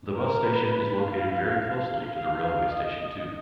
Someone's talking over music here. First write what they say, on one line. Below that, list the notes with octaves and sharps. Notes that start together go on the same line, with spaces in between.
The bus station is located very closely to the railway station too.
A#4
B4
F5
F5
F5
D#5